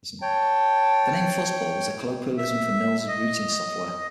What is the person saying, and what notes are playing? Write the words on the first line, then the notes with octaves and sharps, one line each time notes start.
The name "Fuzzball" was the colloquialism for Mills' routing software.
C#5 G5 A5
E5
D#5